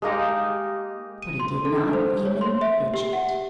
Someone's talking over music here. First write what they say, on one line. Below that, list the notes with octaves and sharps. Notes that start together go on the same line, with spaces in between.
But he did not even fidget.
G#3 A#3 D#4 G4
D#7
C6
A4
D4
C5
C#5
C6
E5
G4
F#5